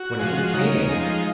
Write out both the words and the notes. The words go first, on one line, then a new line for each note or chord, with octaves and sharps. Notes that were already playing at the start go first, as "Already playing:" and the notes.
What is its meaning?
Already playing: F#4
F3 G#3
C#3 D#4
F3 G#3